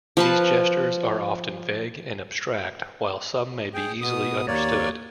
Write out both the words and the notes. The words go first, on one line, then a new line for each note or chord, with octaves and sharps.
These gestures are often vague and abstract while some may be easily understood.
F3 B4 A5
G#4 G5
B2 B3 D#6
D#2 A#3 C#5 D5